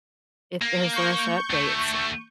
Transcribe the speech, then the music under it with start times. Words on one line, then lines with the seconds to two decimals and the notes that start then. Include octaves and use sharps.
if there's less updates,
0.62 A#3
0.92 C#6 G6
1.51 D2 A3